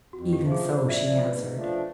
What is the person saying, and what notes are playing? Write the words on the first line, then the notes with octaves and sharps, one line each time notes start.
"Even so." she answered.
F2 F#4
G4
C3 F3
G#4
F2 C5
D5 E5
C3 F3
D5 E5
G#2 B4
F3 A3 D4